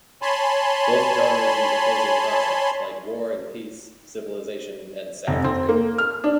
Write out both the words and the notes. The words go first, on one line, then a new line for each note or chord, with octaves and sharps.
Both genres use opposing concepts like war and peace, civilization and savagery.
C#5 G#5 A5 B5 C6
F1
C4
A#3
F6
D4